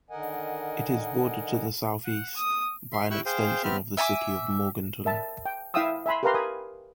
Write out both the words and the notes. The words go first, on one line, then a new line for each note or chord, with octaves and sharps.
It is bordered to the southeast by an extension of the city of Morganton.
D3 D#3 A#4 D#5 F#5 G#5
F#5
D#6
E5 C6
E4 G4 G5 C#6 E6 F#6
G#4 C5 F5 G5
B3 C4 G4 E5 F6
E5 G#5 A5 D6
A#4 E5 A5
G5
E4 E5 F5 G5 D#6 E6
E5 G#5 B5 C6
G4 A#4 B4 F5 A#5 C6
A#4 G#5 B5 D#6